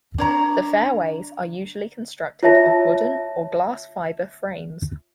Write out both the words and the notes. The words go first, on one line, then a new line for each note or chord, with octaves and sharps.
The fairways are usually constructed of wooden or glass fibre frames.
D4 C#5 A#5
F4 C#5 E5 A5 A#6